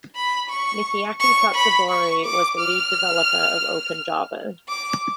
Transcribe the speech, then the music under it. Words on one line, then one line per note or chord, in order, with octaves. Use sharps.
Michiaki Tatsubori was the lead developer of OpenJava.
B5
C#6
C#6
B5
C#6
D6
F6
D6